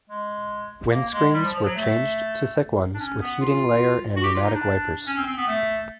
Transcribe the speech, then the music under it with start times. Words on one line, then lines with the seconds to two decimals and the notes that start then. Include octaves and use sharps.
Windscreens were changed to thick ones with heating layer and pneumatic wipers.
0.10 G#3
0.92 A#3
1.13 G#3
1.34 G3
1.44 F3
1.55 F3
1.65 F#3
1.75 A3
2.94 D4
3.00 C#4
3.20 B3
3.41 F4
4.16 F#4
4.24 G4
4.34 F4
4.45 D#4
4.55 D4
5.07 C#4
5.17 C4
5.27 C4
5.37 B3
5.48 A3